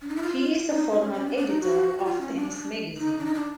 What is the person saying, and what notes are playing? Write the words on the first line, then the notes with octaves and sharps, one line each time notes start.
He is a former editor of "Tennis Magazine".
D4
D#4
E4
F4
D#4
C#4
C#4
D4
D4
D#4
F#4
F#4
F4
C#4
D4
D4
D#4
D4
D#4
D4